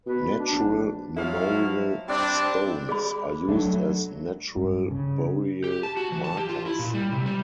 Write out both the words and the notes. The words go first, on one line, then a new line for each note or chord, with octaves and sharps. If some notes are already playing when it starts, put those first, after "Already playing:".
Natural memorial stones are used as natural burial markers.
B2 B4
D4
A#1
F3 F#3 E4 F5
G3 C4 D4
G#4 D5 B5
F#3 A3 D4
G2
C#3
G4
A5
F#4
E3
A5
G4
F4
E4
A#2
G3
C3
G3